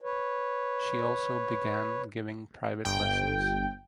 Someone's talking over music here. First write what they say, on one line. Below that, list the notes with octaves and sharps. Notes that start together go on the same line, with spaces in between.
She also began giving private lessons.
B4 C#5
G1 G5